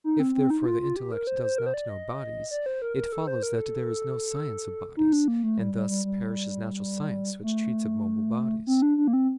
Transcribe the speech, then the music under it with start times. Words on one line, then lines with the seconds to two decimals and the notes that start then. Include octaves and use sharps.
If, therefore, the intellect does not know bodies, it follows that there is no science of bodies; and thus perishes natural science, which treats of mobile bodies.
0.04 D#4
0.19 C4
0.35 C4
0.50 D#4
0.60 D#4
0.66 F4
0.81 F4
0.96 G4
1.12 A#4
1.27 C5
1.43 C5
1.58 A#4
1.66 C5
1.74 D5
1.89 D#5
2.51 D5
2.66 C5
2.82 A#4
2.97 A#4
3.12 A4
3.27 C5
3.43 A#4
3.58 A4
4.97 D#4
5.13 D4
5.28 A#3
5.43 A3
5.59 G3
5.74 G3
5.89 G3
6.05 G3
7.44 A3
8.67 C4
8.82 D4
8.97 D4
9.08 A#3
9.13 C4